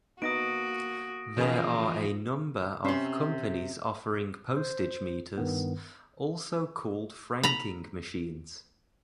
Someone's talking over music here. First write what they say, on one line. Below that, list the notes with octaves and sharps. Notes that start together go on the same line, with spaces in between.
There are a number of companies offering postage meters, also called franking machines.
A#3 B3 D#4 F#4 D#6 A#6 D7
C#3 E3 F3 F4 G#4 A#4
C3 C#4 E5 C6
C5
G2 D#3 B3
A#5 B5